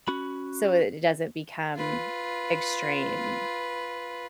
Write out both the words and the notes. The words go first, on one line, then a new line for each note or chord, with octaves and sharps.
so it it doesn't become extreme.
C#4 F#4 B5
F4 B4